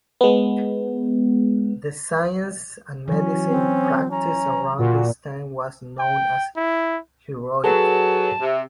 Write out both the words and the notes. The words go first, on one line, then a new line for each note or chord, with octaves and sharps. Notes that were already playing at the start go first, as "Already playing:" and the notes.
The science and medicine practiced around this time was known as "heroic".
G#3 B3
E3 F#3 C#4
C4
C#4 A#5
A#2 F#4
G5
E4
F#3 G#4 A4 B4 A5
C3